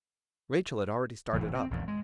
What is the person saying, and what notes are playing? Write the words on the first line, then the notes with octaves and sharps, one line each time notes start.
Rachael had already started up.
E1 A2 E3
C4
A#1 E2 G#2
G#3